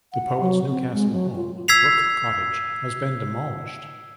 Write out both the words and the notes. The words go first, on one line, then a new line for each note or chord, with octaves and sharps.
The poet's Newcastle home, Brook Cottage, has been demolished.
F#5
F#3
C4
G#3
F#3
F4
E6 G#6 B6 C7 F7